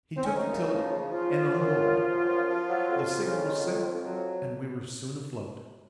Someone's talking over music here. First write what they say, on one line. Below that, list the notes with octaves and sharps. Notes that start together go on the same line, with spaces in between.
He took the tiller, and unmoored; the sail was set, and we were soon afloat.
C4
C#4
F#2 D#4
C#3
F3
C#3
F3 F4
F3
F#2
F3
F3
F#2
F3
F3
F#3
F2
F2
C#3
D#3
F2
F2
F#3